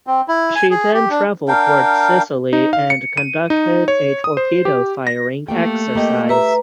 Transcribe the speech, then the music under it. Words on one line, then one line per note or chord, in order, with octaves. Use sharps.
She then traveled toward Sicily and conducted a torpedo-firing exercise.
C4
E4
G#5
G#4
G4
D4
D4 A#4 F5 G5
D#4
F5
C#7
D#7
D#4
C#5
D#6
C5
G4
A#6
A3 A#3 G4 G5
A#3 G4 D#5 G5
G4 B4 E5 A#5